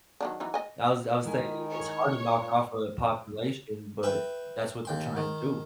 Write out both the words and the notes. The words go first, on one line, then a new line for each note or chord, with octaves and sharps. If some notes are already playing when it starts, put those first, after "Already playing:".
I was I was saying, it's hard to knock off a population, but that's what they're trying to do.
D#3 F#3 D4
E3 F#3 D#4
D#5 G#5
D#3 G#3 E4 G#5
C#5
A#2
B4 E5 G5
D#2 G5 C6
D#3